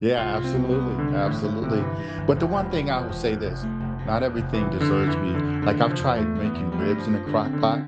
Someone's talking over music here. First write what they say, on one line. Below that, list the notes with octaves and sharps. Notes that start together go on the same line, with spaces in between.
Yeah, absolutely, absolutely. But the one thing I will say this, not everything deserves to be like, I've tried making ribs in a Crock Pot.
C2 F4
C3
C4
C2
C2 B3
C2
D3
E3
G1 A2
A2 F3
G1 C3
G2 E3
G2
E3
G1
E1 F3
E1
G3
E1
E2 F3
E1
E2
F1
A3
F1
B2
E2
F1
F2 E3
F2
D3
F2
F2 E3
F2
D3
F2
D3 E3
C3
F3
E2
E2 A3
E3
B3
E2
F3 G3
A3
G2 G3
F3
G2
G2 D3
C4
D3
C4